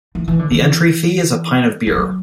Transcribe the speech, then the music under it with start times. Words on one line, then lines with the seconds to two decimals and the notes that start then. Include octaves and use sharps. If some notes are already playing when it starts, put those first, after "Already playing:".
The entry fee is a pint of beer.
0.15 E3
0.28 E3
0.39 D3
0.51 E3
1.87 E3
1.95 F#3